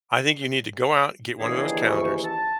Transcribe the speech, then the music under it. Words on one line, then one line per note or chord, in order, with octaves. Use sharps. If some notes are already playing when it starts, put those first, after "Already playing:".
I think you need to go out and get one of those calendars,
D#2 C#3 E3 D4 G#4
D2 C#6
A5